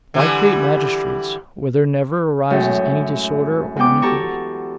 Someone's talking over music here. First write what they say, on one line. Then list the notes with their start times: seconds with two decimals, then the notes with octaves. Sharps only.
Why create magistrates, where there never arises any disorder or iniquity?
0.14 D3 E3 G3
2.50 F#2 A2 G#3
3.76 E2 G#3 B3 G5 D6
4.02 F#4 G4 A4 A5 A#5 C#6